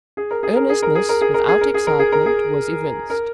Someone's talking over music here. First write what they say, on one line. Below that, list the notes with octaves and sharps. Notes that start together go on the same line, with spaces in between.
Earnestness without excitement was evinced.
G#4
A#4
G#4
A#4
G#4
A#4
G#4
A#4
G#4
A#4
G#4
A#4
G#4
A#4
G#4
A#4
G#4
A#4